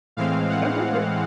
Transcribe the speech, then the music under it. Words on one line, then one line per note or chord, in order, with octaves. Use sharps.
No, go for it.
A2 E3 G#3 C4 F5
F#5